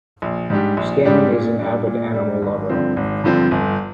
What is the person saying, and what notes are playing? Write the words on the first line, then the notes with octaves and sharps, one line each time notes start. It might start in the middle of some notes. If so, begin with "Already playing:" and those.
Stan is an avid animal lover.
A#1
G#2 G3 D4 G4
A#1
G#2 G3 D4 G4
A#2
G3 D4
A#2
G3 D4
G#1
G2 D3 F3 C4
G#1
G2 D3 F3 C4
G1